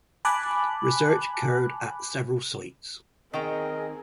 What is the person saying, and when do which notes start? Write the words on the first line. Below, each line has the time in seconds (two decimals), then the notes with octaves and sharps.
Research occurred at several sites.
0.25 G#5 A5 B5 D6 F#6
3.34 D#3 C4 G#4 A#4 D#5 G5 A#5